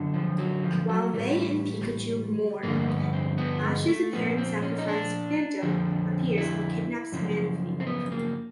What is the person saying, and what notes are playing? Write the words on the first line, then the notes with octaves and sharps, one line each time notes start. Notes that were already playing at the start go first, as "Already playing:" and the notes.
While May and Pikachu mourn Ash's apparent sacrifice, Phantom appears and kidnaps Manaphy.
Already playing: F#2 D3
F3
F#3
F3
F#3
A2 E3 G3
G2 D3 F3 A#3
B3
C4
B3
G#3
A3
A#2 F3 B3
C4
C#4
D#4
D4
F2 D3 F3
E4
F#2 C#3 F3
C4
B3
A#3